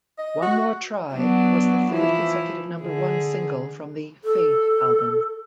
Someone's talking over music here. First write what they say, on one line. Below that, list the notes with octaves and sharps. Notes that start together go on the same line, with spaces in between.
"One More Try" was the third consecutive number one single from the "Faith" album.
D#5
F#4
F#3 B3 D4
E3 F3 E4
D3 G#4
A4